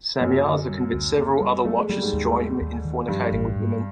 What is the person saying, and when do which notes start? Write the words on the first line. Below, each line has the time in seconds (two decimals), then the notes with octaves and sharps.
Samyaza convinced several other Watchers to join him in fornicating with women.
0.21 F#2 F#3 A#3
0.45 D3
0.69 G3
0.93 D2
1.18 A#3
1.41 G3
1.65 F#3 A3
1.78 G#3
1.89 F#3 G3
2.02 G#2 G#3
2.13 D#2
2.37 A#3
2.61 D#2
2.85 D#3
3.08 G2 F3 G3
3.32 A1
3.56 G#2